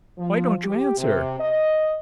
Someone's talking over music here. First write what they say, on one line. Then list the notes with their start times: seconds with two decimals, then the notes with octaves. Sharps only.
Why don't you answer?
0.18 F3
0.64 G4
0.98 C3
1.40 D#5